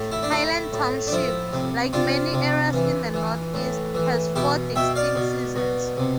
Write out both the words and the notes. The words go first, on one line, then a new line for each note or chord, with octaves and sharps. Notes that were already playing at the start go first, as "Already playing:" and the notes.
Highland Township, like many areas in the northeast, has four distinct seasons.
Already playing: A2
E4
D4
A2 E4
A2
D4
F3 E4
C3
C3 D4 F4
C3
E3
E3
A2
E3
B2 E4 G4
B2 E5 G5
D5 F5
B2
B2
C3